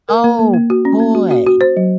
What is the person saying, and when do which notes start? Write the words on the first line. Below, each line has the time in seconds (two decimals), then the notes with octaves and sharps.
Oh, boy.
0.09 A#4
0.24 A#3
0.39 A#3
0.54 A#3
0.70 F#4
0.85 C#4
1.00 A#3
1.15 F#4
1.31 F#4
1.47 F#4
1.61 C5
1.77 F#3